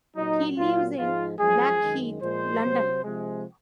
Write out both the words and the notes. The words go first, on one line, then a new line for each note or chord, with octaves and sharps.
He lives in Blackheath, London.
A#2 F#3 D#4
A#2 F#3 F4
G#2 F3 G#3 F4
F#2 F3 G#3 G#4
F#2 D#3 G#3
A#2 F3 G#3 C5
C3 F#3
C3 F3 G#3